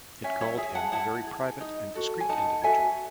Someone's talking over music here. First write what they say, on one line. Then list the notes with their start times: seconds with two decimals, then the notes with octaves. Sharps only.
It called him a very private and discreet individual.
0.23 C#4 E5 G#5
0.41 C#5 E5
0.57 G#4 E5 G#5
0.75 F#5 A5
0.92 E4 F#5 A5
1.27 G#4
1.61 D#4
1.95 F#4 A4
2.20 G#5
2.29 D#4 F#5 A5
2.64 F#4 A4 E5 G#5